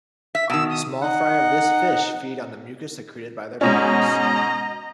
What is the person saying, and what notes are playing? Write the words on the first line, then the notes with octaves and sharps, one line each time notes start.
Small fry of this fish feed on the mucus secreted by their parents.
E5 B6
B2 D#3 E6
D#6
D#4 F#5
G#2 B2 C#4 D#5 A#5